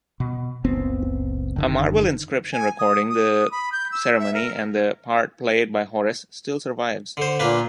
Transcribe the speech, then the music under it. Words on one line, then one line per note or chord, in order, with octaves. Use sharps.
A marble inscription recording the ceremony and the part played by Horace still survives.
B2
F#1 C#2 B3 C4
F#1 D3 D#3
G#5
D#6
D#6
B5
G6
E6
E5
A#4
D3 C5
A#2 A#3 D4 B4